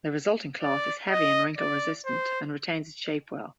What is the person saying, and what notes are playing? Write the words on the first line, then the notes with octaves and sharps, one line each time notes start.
The resulting cloth is heavy and wrinkle-resistant, and retains its shape well.
D5
D#5
D5
C5